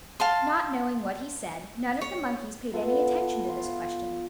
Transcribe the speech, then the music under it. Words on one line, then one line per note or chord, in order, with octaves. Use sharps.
Not knowing what he said, none of the monkeys paid any attention to this question.
F5 A5 C6
C#5
B3 F4 A4
F4